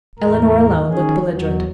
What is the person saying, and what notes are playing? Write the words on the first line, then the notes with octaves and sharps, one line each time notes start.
Eleanor alone looked belligerent.
E2 A2 A#4
D#3 C#4 G#4
E2 F#3